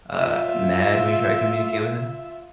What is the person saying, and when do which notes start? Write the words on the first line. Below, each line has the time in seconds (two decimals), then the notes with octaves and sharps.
uh, mad when you try to communicate with him?
0.17 F4 E5